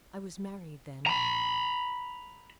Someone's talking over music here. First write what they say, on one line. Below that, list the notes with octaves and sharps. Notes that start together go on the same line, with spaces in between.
I was married then.
A#5 B5